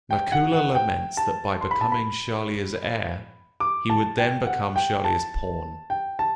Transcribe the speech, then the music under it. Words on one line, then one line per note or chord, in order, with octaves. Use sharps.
Nakula laments that by becoming Shalya's heir, he would then become Shalya's pawn.
G5
F#5
F#5
G5
A5
C6
B5
A5
B5
D6
A5
G5
F#5
G5
A5
G5
A5